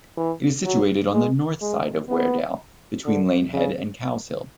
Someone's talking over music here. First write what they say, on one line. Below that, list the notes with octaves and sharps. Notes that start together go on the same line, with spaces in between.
It is situated on the north side of Weardale, between Lanehead and Cowshill.
E3
F#3
G#3
G#3
B3
D3
C#3